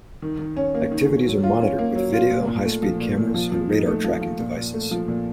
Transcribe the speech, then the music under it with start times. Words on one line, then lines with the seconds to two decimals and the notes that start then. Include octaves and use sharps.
Activities are monitored with video, high-speed cameras, and radar tracking devices.
0.22 D#3
0.39 D#3
0.57 C#4
0.74 A#3
0.92 D#3
1.08 D#3
1.26 F#3
1.43 F4
1.61 C#4
1.79 A#3
1.95 F#3
2.13 F4
2.31 A#2
2.47 A#2
2.65 A3
2.82 F3
3.00 A#2
3.17 A#2
3.34 F3
3.52 F3
3.69 D#4
3.87 A3
4.04 F3
4.21 F3
4.39 A#2
4.57 A#2
4.74 A3
4.91 F3
5.08 A#2